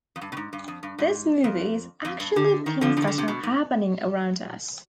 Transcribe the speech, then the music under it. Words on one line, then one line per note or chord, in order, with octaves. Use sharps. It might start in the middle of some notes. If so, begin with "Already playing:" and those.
This movie is actually things that are happening around us.
F2
G2
B2
G#2
G2
F2
G2
G#2
F2
F2
G2
D3
D#3
D3 F3
D3 F3
D#3
D3
C3
B2
G#2